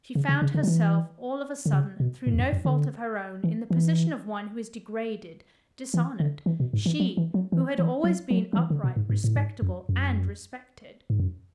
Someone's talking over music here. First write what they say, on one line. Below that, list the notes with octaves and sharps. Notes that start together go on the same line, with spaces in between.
She found herself all of a sudden, through no fault of her own, in the position of one who is degraded, dishonored; she, who had always been upright, respectable, and respected.
C#3
C#3
C#3
D3
F#3
E3
D3
C#3
B2
A2
E2
F#2
F#2
D3
E3
E3
E3
D3
E3
B2
G#2
E3
F#3
E3
F#3
E3
E3
F#3
F#3
F#3
E3
D3
B2
G#2
G#2
A2
G#2
F#2
F#2
G#2
F#2